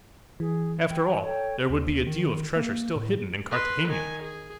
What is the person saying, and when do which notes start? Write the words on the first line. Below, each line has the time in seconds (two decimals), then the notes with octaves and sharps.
After all, there would be a deal of treasure still hidden in Cartagena.
0.40 E3 G#4
0.89 G5
1.23 A4 C#5 G5
1.70 D#2
2.07 D#3
2.56 A#3
2.96 A2
3.51 B4 C6
3.88 D#3 G#5
4.22 G#4